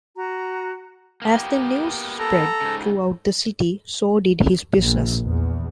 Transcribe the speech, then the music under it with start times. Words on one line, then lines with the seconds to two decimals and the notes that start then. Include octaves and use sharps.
As the news spread throughout the city, so did his business.
0.15 F#4 A#5
1.22 A#3 B3 G4
2.19 A4 A#5
2.61 G#2 C#3
4.76 A#1
5.24 E2